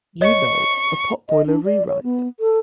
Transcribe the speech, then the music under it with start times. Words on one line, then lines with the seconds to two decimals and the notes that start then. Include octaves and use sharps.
You know, a potboiler rewrite.
0.21 C#5 D#5 C#6
1.29 D#5
1.46 D4
1.65 D5
1.88 C#5
2.03 B3
2.40 A4